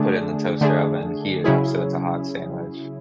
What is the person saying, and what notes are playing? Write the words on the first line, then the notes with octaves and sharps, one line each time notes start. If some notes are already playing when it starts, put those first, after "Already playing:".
Put it in the toaster oven, heat it up so it's a hot sandwich.
Already playing: D3 A3 D4 G#4
D3 A3 D4 G#4
C#3 F#3 C#4 E4 G#4